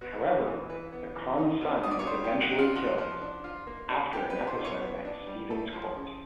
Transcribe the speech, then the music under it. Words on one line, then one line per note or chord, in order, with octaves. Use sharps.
However, the Khan's son was eventually killed, after an episode at Stephens's court.
B3 F#4
E3
E3
E3 B4
B3
E3
D#4
B2
B2 D#5
D5
C#5
G3 C5
G4
G3
F#4
D#4
F4
F3 F#4
F3
D4
F4
A#3
D4
B3 G4
B4
D4
C5
B2
C#5
B3
D4
G3
A3 A4
F3
C#3